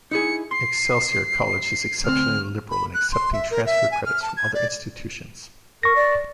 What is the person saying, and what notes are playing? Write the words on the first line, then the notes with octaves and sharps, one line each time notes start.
Excelsior College is exceptionally liberal in accepting transfer credit from other institutions.
D#4 E4 G#4 C#7
C6 C7
D2 C4 F6
B5
F#6
C6
E5
A#4
E5
G#5
F6
A5
G#6
D5
A#4 C#6 A#6
D5